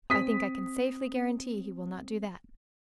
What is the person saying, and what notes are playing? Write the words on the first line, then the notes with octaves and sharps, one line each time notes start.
"I think I can safely guarantee he will not do that."
C4 D#6 B6